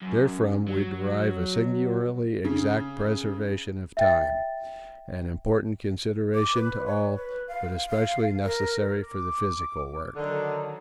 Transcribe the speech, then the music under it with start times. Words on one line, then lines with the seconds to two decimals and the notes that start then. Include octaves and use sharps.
Therefrom we derive a singularly exact preservation of time--an important consideration to all, but especially necessary for the physical work.
0.02 F#2
0.68 F#3
2.45 C#3
3.97 E5 G5 A6
6.34 D6
6.54 B4
6.86 C#5
7.16 B4
7.48 F5
7.88 F5
8.44 A#4
9.06 D6
10.16 D3 D#3 F#3